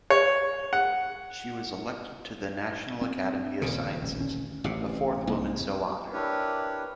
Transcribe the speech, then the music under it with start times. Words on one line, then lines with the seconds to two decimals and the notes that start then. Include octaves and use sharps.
She was elected to the National Academy of Sciences, the fourth woman so honored.
0.10 C#5
0.73 F#5
3.01 C4
3.62 D#1 A#2 C#3
4.02 A1
4.19 D2 C#4
4.64 A1 C3
5.27 C2 A#3
6.12 D4 E4 G4 A#4 B4 C#5